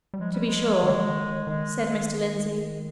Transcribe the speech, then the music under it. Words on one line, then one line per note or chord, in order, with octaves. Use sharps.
"To be sure," said Mr. Lindsey.
G3
F3 G#3
G3
G#3
D#3
F3
D#3
D#3 G#3